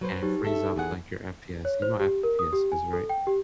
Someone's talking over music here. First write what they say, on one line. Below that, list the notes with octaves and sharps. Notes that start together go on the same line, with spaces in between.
and it frees up like your FPS, you know FPS is right?
F#3 B4 C5
D#4 G4
A4 E5
E2 G#4 F#5
C#5
C5
G4
A#4
D#6
G4
G#5
A4
G5
G4